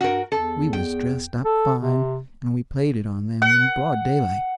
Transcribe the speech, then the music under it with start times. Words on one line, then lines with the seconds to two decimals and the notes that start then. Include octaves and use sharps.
We was dressed up fine, and we played it on them in broad daylight.
0.01 G2 F#4 A#4
0.32 E2 A4
0.73 G5
1.45 A4
1.80 C3
3.42 F#5